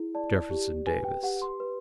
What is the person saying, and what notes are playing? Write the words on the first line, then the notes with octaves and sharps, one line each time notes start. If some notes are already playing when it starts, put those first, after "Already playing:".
"Jefferson Davis."
Already playing: E4 G#4
D5 A5
G4
B4 G#5
G5
G4 F#5
C6
B4